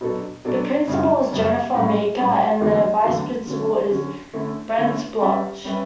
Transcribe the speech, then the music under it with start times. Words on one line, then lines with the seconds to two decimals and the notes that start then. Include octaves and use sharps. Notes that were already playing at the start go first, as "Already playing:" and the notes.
The principal is Jennifer Meeker and the vice-principal is Brent Bloch.
0.01 B2 F#3 B3 D4 A4
0.45 B2 F#3 B3 D4 A4
0.87 F#2 C#3 G3 C#4
1.31 F#2 C#3 G3 C#4
1.74 A2 G3 C#4
2.17 A2 G3 C#4
2.60 E2 D3 F#3 A3
3.04 E2 D3 F#3 A3
3.47 D3 F#3 C#4
3.91 D3 F#3 C#4
4.34 D3 A3 C#4 E4
4.78 D3 A3 C#4 E4
5.20 G3 C#4 G4 B4 E5
5.64 G3 C#4 G4 B4 E5